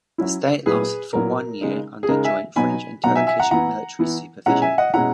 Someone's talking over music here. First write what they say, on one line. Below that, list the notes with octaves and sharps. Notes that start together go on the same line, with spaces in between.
The State lasted for one year under joint French and Turkish military supervision.
F#3 C#4 E4
A#2 F#3 B3 E4 G#4 B4
A#2 F#3 B3 E4 A#4
C#3 G#3 D#4
G#4
C#3 G#3 D#4 A#4
E5 G#5
B2 F#3 B3 D#4 G#5 B5
B2 F#3 B3 D#4 F#5 A#5
E5 G#5
E5 G#5
F#5 A#5
E3 B3 E4 F#5 A#5
E3 B3 E4
B2 G#3 C#4 E4 F#5 A#5
E5 G#5
D#5 F#5
B2 G#3 C#4 E4 F#5 A#5